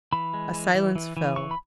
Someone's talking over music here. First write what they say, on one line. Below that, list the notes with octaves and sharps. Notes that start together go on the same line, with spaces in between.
A silence fell.
E3 B5
G#3
E3
E3
E3
E3
E3 C#6
B5